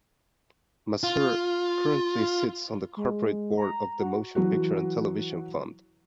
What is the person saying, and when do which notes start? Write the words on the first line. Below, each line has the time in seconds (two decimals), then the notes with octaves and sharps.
Masur currently sits on the Corporate Board of the Motion Picture and Television Fund.
1.03 F4
2.97 G#3
3.58 A#5
3.99 F#4
4.35 E3 F#3 F#4